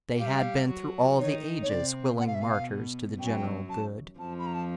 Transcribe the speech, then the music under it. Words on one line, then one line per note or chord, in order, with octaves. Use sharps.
They had been, through all the ages, willing martyrs to the general good.
G3 G4 F5
E5
F5
F#3 F#4
D#3 D#4 C#5
C#5
C3 C4 D5
B2 B3 F#5
F5
E5
F5
F#2 F#3 G5
G#5
G5
A5
F2 F3 A5
B5
A#5
A5